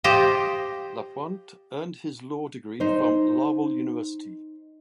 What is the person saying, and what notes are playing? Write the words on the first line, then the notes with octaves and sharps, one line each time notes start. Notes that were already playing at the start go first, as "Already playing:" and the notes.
Lapointe earned his law degree from Laval University.
F4 G4 C5 D#5
D#4 C5